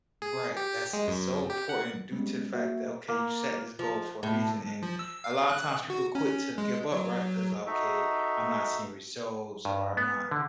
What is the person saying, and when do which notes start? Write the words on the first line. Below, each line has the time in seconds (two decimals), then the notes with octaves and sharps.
Right, that's it's so important due to fact that, okay, you set this goal for a reason, and a lotta times people quit to give up, right? 'Cause, "Okay, I'm not seeing results or I'm not
0.22 G#4
0.57 G4
0.93 G#3
1.08 F#2
1.50 G4
1.69 F#5
2.12 G3 G#3 B3 C#4
2.53 A#3 F#4 E5
3.08 A#3
3.79 F3
4.23 A2
4.83 F3
4.99 E6
5.24 F5
5.49 F#6
5.90 F#4
6.15 C#4
6.58 G#3
6.92 F#3
7.67 D#4 F#4 A4 E5
9.65 G2
9.97 B3
10.31 D3